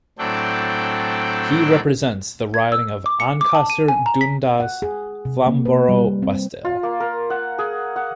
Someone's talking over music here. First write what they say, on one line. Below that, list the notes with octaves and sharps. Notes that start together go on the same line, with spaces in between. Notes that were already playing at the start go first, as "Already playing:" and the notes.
He represents the riding of Ancaster-Dundas-Flamborough-Westdale.
A2 F#3 C4 D4 A4 G5
G#6
E6
D6
C#7
D6
A5
D#7
G#5
A#5
B6
F#5
G#4
C3
A#3
B4
G3
C4
F4
A#3
A#4
F#5
G#4
F#5